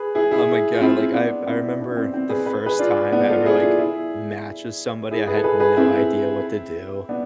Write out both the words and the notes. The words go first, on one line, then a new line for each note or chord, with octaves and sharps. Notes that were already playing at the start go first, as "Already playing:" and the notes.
Oh my god, like, I I remember the first time I ever, like, matched with somebody, I had no idea what to do.
Already playing: G#4 B4
E4 G#4
E4 G#4
F4
C4 E4
B3 D4
C4 E4
B3 D4
D4
C4
C4
G#4 B4
B4
G#4 B4
D4 F4
B3 D4
F4 A4
E4 G#4
D4 F4
E4 G#4
E4 G#4
G#4 B4
A4
G#4 B4
G#4 B4
C4 E4
B3 D4